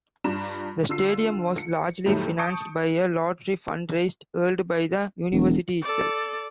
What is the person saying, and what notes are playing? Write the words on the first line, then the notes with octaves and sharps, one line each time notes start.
The stadium was largely financed by a lottery fund-raiser held by the university itself.
G2 D4 F4 A#5 E7
D3 F4 E6 C7
C#7
F2 A2 D#3 F#3 G3 A3
A5 C#6 D#6 G6 C#7 D7
E1
A4 D5